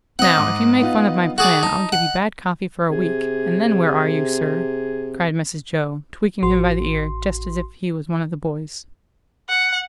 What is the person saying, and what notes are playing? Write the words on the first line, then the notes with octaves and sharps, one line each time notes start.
"Now, if you make fun of my plan I'll give you bad coffee for a week, and then where are you, sir?" cried Mrs. Jo, tweaking him by the ear just as if he was one of the boys.
C4 D#5 F#5
G#2 D6
B3 D#4 F4
F#4 G#4 D5
D#4 D#5 A5
F#5
C3 G#4
A1 F#4 C6
F#5